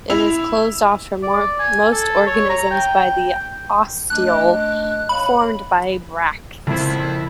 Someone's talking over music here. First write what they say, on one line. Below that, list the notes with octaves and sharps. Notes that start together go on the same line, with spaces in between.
It is closed off from most organisms by the ostiole, formed by bracts.
E4 F7
D5
G#5
A4
C#5
A#5
G5
A3 D4 D#5 F#6
C#5 F5 B5
F2 A#2 C#3 E4 C5